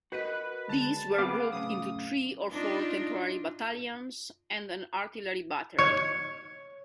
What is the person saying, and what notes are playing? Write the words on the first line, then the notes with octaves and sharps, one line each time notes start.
These were grouped into three or four temporary battalions and an artillery battery.
F#4 A#4 B4 D#5
D3 G#3 A5
B3 C4 G#4 B4 F5 D6
F#2 A2 C#3 D#6
D4 D#4 F4
C#5